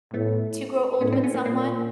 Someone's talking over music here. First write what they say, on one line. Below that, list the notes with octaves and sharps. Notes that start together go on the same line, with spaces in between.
to grow old with someone,
A2 A3 B3
A2 B3 C#4
C4 D4
B3 C#4
A#3 C4
A#2 A#3 C4